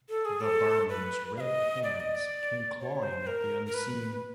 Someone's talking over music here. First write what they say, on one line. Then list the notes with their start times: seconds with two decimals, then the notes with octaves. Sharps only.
The barman's red hands came clawing at the unseen.
0.09 A4
0.25 G#4
0.41 A4
0.89 B4
1.37 F5
1.40 D#5
1.83 D5
2.00 D#5
2.15 D5
2.80 C#5
3.03 C5
3.27 A#4
3.66 A#4
3.74 B4